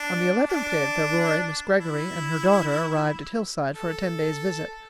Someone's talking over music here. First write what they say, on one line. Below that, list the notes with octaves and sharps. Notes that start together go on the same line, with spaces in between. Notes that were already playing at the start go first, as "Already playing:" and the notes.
On the eleventh day of February Mrs. Greggory and her daughter arrived at Hillside for a ten-days' visit.
Already playing: D4
D4
E4
A4